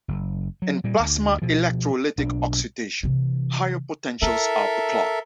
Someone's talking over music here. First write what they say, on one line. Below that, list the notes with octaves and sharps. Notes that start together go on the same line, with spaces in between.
In plasma electrolytic oxidation, higher potentials are applied.
F#1
F#3
A#2 G3
D2
B2 F3
B1 D4
C3 E3
C#4 E4 A4 A#4 E5